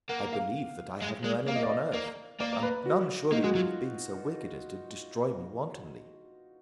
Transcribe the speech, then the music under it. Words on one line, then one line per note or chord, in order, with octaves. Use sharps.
I believe that I have no enemy on earth, and none surely would have been so wicked as to destroy me wantonly.
A#3 F#5
F5
G#3
G#3
A#3 F5
D#5
D5
D#5
A#3
A#3 D5
D5
B4
F#4
A#3 D#4
G#3 F#4
F#3 F4